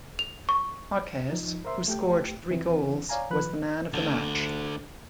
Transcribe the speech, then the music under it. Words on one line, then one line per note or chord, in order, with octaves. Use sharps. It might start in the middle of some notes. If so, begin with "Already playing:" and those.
Marques, who scored three goals, was the man of the match.
F7
C#6
F3 D#4
A#4 C5 E5 C6
A3 G4 G5
E3 C4
C#5 D5 F5 G#5 A#5
D#3 F3 B4 B5 F#6
D2 D3